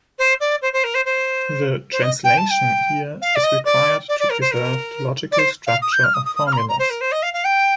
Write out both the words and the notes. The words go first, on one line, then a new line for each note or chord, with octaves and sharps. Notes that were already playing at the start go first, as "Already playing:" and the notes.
The "translation" here is required to preserve the logical structure of formulas.
C5
D5
C5
C5
A#4
C5
C5
C5
D#5
G5
A5
G5
F5
D5
D#5
D5
D5
D5
A#4
C5
A#4
D5
C5
F5
D#6
G6
F6
D#6
D#6
D#6
F6
A#5
C6
A#5
C5
A#4
C5
D#5
F5
F5
G5